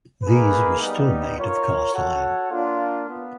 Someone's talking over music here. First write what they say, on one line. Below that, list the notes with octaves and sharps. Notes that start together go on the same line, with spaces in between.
These were still made of cast iron.
A#3 D#4 G#4 B4
G3 B3 D#4
F4 A#4 C#5
F#4 A4 C#5 F#5
A#3 D4 F4
B3